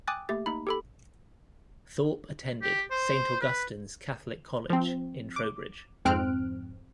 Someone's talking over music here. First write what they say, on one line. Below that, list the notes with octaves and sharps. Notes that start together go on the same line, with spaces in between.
Thorp attended Saint Augustine's Catholic College in Trowbridge.
G5 G#5 D6 D#6 F#6 A6
A3 A#3 G4 A6
A#3 D#4 B5
G4 A4 B5
G4
C5
B4
F3 C4
D6
F2 G#2 C4 F6 F#6 D7